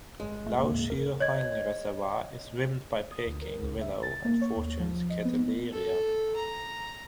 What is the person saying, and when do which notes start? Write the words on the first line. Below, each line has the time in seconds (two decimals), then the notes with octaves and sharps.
Lau Shui Heung Reservoir is rimmed by Peking willow and Fortune's keteleeria.
0.20 G1 G#3
0.47 A3
0.58 E1 A#2 A#3 C4
0.70 D#2 A2 C#3
0.90 E1 F2 A#3 A#4
1.20 C#5 D#5 G#6
3.11 D#6
3.26 D2
3.42 A#4
3.62 C#2
3.81 E5
4.03 A6
4.25 A#3
4.41 C#5
4.57 D#2
4.79 F3
5.10 D#5
5.25 B3
5.72 A4
6.36 A#5